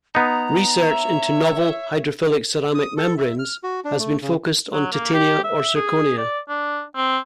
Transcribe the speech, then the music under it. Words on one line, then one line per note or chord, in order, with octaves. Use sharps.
Research into novel hydrophilic ceramic membranes has been focused on titania or zirconia.
B3 D#4 A#5
C#5 E5
D#6
A4
E5
F6
F#4
D4
A3
C#3
F#3
A#3
G4
E5
G#4
D5
D4
C4